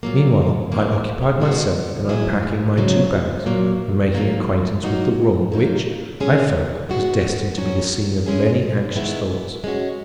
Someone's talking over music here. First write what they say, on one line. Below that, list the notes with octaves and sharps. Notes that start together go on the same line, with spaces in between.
Meanwhile I occupied myself in unpacking my two bags and making acquaintance with the room which, I felt, was destined to be the scene of many, anxious thoughts.
A#2 F#3 A#3
C#3 E3 A#3 E4
B2 G#3 B3 F#4
F#3 B3 E4 G#4
C#3 F#3 C#4
A#2 F#3 A#3
D#3 F#3 A#3
F#3 A#3 D#4 F#4
F#3 A#3 D#4
G#3 C#4 G#4
G#3 B3 F#4
F#3 C#4 F#4
G#3 C#4 E4 G#4
D#3 G#3 B3 E4
G#3 C#4 F#4